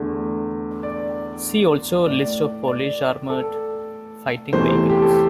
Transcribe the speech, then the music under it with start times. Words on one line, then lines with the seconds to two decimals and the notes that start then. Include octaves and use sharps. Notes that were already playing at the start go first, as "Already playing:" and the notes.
See also list of Polish armoured fighting vehicles.
Already playing: E2 D3 A3
0.83 D5
2.06 A2 A3 D5
2.68 D5
3.30 A4
4.53 E2 C3 E3 A3 C5
4.90 G4
5.02 A4